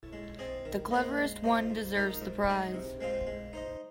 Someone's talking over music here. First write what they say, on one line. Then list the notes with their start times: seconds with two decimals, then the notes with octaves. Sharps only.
The cleverest one deserves the prize.
0.13 G#3
0.39 C4 G#4 D#5
0.65 D#3
0.91 A#3 G#4 C5 D#5
1.17 G#3
1.44 F4 C5 D#5
1.70 G#2
1.96 G#3 D#4 A#4 D#5
2.22 G#2
2.49 G#3 D#4 G#4 D#5
2.74 C3
3.01 G#3 C4 F4 C5
3.27 G#3
3.53 D#4 C5 D#5